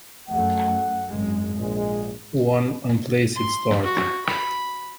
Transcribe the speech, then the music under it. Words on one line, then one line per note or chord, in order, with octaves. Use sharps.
One unplaced start.
F#2 A3 F#5
G#1 F#2 G#3
A#1 G#2 G#3
C6
F#4
B5